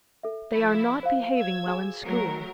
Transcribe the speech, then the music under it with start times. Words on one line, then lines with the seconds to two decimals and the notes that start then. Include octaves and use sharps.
"They are not behaving well in school."
0.23 A4 E5
0.53 F3 E4
1.03 C5 F5
1.36 E6 G#6
1.66 F#4 G#4 G#5
2.03 F#3 A3 A#4